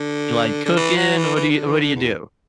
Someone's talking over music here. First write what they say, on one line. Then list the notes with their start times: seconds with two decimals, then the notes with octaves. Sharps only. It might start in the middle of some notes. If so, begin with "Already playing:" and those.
You like cooking, what do you what do you do?
Already playing: D3
0.66 D3
0.77 E3
0.96 F#3
1.17 E3
1.36 E3
1.51 D3
1.66 E3
1.81 D3
1.96 E2